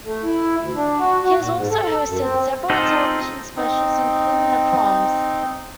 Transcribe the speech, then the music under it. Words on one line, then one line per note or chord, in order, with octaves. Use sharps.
He has also hosted several television specials, including "The Proms".
A3
E4
D2
D4
F#4
F#4
A#2
G#2
A4
F#2
C4
C4 D#4 F4 G#4 A4
C4 D#4